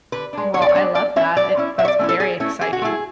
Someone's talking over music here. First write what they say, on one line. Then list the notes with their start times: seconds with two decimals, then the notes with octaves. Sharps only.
Well, I love that. It that's very exciting.
0.12 D3 B4
0.33 G#3 D4
0.54 D3 C#5
0.62 D5
0.69 C#5
0.75 G#3 D4
0.95 F#3 D5
1.16 C#4 E4 E5
1.37 F#3 D5
1.57 C#4 E4
1.78 F#3 E5
1.85 C#5
1.88 D5
1.99 A3 C#4 E4
2.09 A4
2.20 F#3 G#4
2.40 A3 C#4 E4
2.61 E3 G#4
2.73 F#4
2.82 A3 E4 G#4